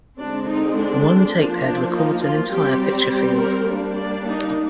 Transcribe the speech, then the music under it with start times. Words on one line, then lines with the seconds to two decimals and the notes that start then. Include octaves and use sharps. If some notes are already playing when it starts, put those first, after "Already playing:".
One tape head records an entire picture field.
0.18 D3 G#3 C4 D4
0.48 D#4
0.77 D4
1.34 F3 A#3 D4
1.63 D4
1.93 D#4
2.22 F4
2.50 G3 C4 G4
2.80 G4
3.10 G4
3.38 A#4
3.67 G3 A#3 D4
3.96 D5
4.25 D#4